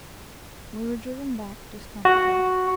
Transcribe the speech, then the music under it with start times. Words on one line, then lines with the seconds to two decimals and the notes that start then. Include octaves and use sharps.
We were driven back discomforted.
2.05 F#4